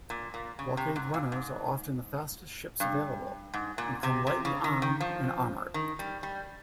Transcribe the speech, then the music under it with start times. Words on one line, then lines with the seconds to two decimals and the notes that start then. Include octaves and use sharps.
Blockade runners are often the fastest ships available, and come lightly armed and armored.
0.10 A#2
0.34 A#2
0.59 C#3
0.77 C3
0.96 G#2
1.14 A#2
1.32 G#2
2.80 G2
3.54 G#2
3.78 A#2
4.03 C3
4.27 C3
4.45 C#3
4.64 D#3
4.82 D#3
5.01 F3
5.74 D#3
5.99 G3
6.23 G3